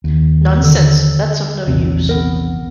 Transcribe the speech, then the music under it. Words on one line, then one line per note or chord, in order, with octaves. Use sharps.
Nonsense; that's of no use.
D#2
D3 E6
A#1 E2 C3
B3 A#4